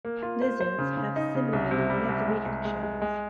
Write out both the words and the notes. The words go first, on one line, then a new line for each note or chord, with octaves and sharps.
Lizards have similarly leathery eggshells.
A#3
F4
C5
C5
C#3
C#3
D#4
C#3
C2
C3
G3
C2
G#3
C2
G#3
G#3
G#3